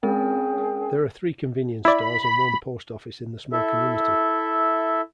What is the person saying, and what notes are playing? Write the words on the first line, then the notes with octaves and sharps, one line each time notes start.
There are three convenience stores and one post office in the small community.
G#3 C4 C#4 G#4 A#4 G5
E4 D5 B5
E4 A4 E5